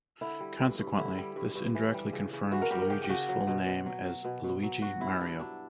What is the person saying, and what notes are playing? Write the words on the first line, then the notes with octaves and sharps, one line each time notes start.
Consequently, this indirectly confirms Luigi's full name as Luigi Mario.
D3 E4
G3
G2
G2
D3 E4
G3
G2
G2
E3
G3
C#3
C#3
E3 F#4
A#4
G3 G4
A#4
C#3 G4
G4
C#3 F#4
F#3
B2
B2
F#3
F#3
B2
B2
F#3
F#3 F#4
G2 E4
G2 D4
F#3 D4